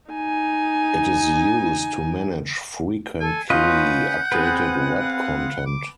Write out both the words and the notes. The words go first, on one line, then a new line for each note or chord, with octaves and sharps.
It is used to manage frequently-updated Web content.
D#4 G#5
A4 G#5
C#4 F4 B4 D#5 F#5 G6
B3 C4 G#4 B4
F5
D6